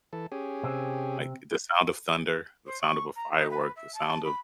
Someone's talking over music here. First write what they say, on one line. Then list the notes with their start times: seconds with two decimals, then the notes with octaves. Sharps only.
like, the sound of thunder, the sound of a firework, the sound of
0.13 E3 A4
0.32 C#4 G4 G#4
0.64 C3 C4
2.66 C5
2.81 C#6
3.16 A#5
3.31 D#4
3.50 B4
3.76 E5
3.94 A5
4.24 B5